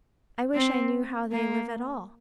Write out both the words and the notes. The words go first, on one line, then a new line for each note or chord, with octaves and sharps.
I wish I knew how they live at all.
C4
A#3